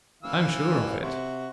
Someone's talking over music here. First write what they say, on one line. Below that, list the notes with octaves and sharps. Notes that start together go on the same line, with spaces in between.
"I am sure of it."
F#1 E3 F5 E6
A1
C3 F#4